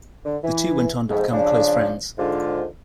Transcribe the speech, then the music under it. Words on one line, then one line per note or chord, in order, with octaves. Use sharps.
The two went on to become close friends.
D3
E3
F2 G#2
C#3 F3 D4
G#2 D3 F4